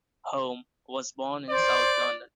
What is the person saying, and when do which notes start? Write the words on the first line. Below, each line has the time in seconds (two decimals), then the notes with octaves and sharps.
Home was born in South London.
1.50 C5 D5